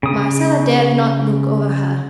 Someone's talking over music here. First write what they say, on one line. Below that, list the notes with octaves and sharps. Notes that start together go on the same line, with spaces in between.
Marcella dared not look over her.
C#3 D#6